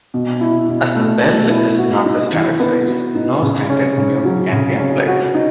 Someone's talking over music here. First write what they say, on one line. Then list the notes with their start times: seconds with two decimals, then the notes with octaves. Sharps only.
As the bell is not the standard size, no standard mute can be applied.
0.14 B2
0.41 E4
0.68 B2
0.96 A3
1.23 B2
1.50 E4
1.78 F#4
2.06 D#4
2.33 E3
2.60 B3
2.88 F#4
3.15 D#4
3.43 C#3
3.70 C#4
3.98 C#3
4.25 F#3
4.53 C#3
4.80 C#4
5.08 F#4
5.35 D#4